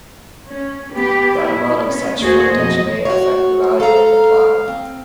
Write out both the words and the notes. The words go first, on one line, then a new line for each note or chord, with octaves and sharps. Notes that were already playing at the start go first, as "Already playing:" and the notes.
The amount of such frontage may affect the value of the plot.
C#4
B3 G4 B4
E4
B3 C#4
D#2 A3 A#3 F#4 G#4 C5
F2 B2 E3 D#5
F#4 C#5
A4 F5 A#5
C4